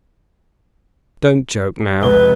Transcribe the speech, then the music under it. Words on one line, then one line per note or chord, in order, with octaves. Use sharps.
Don't joke now.
F1 C#2 B4 G7